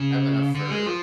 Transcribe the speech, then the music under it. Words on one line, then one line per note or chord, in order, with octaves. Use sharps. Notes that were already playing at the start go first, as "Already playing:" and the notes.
I have enough for
Already playing: C#3
D3
G#3
F3